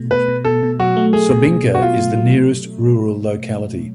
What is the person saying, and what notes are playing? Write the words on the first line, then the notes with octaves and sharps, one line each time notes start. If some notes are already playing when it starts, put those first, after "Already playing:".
Sobinka is the nearest rural locality.
Already playing: B2 A3
B2 B4
B2
B2 A4
B2
F#3 F#4
A3
A3 G#4
B2
B2
B2
F#4
B2 F4
A3
F#3